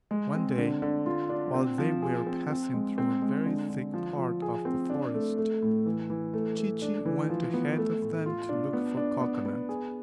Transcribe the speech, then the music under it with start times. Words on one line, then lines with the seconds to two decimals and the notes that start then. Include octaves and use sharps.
One day, while they were passing through a very thick part of the forest, Chee-Chee went ahead of them to look for cocoanuts.
0.11 G#3
0.34 C4
0.58 D3
0.82 D3
1.06 F4
1.29 D4
1.54 C4
1.78 F3
2.02 G#4
2.27 C4
2.50 C4
2.74 G#3
2.98 C4
3.22 G#3
3.46 D3
3.69 D3
3.94 F3
4.18 F3
4.42 G#4
4.65 C4
4.90 D4
5.14 A3
5.37 A3
5.62 A2
5.86 E3
6.10 E3
6.34 A3
6.58 A3
6.82 D4
7.05 E3
7.29 F3
7.53 B3
7.77 A3
8.02 A2
8.26 F4
8.49 D4
8.73 B3
8.97 D4
9.21 B3
9.45 B3
9.69 G#4